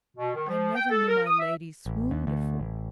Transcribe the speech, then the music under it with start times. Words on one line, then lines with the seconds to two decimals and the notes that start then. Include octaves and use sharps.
I never knew my Lady swoon before.
0.17 B2
0.35 D#3
0.48 F3
0.75 G5
0.90 A4
1.08 A#4
1.26 D#6
1.39 E5
1.86 A1
2.11 D#2
2.27 D2
2.60 A1